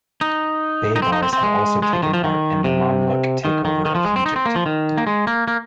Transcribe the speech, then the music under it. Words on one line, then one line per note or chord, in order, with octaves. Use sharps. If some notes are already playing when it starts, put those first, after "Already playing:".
Baibars had also taken part in the Mamluk takeover of Egypt.
D#4
D#4
C4
D#4
C4
C4
G#3
G#3
F3
D#3
F3
D#3
C3
D#3
D#3
D#3
F3
G#3
C4
D#4
C4
A#3
F3
D#3
A#3
G#3
A#3
A#3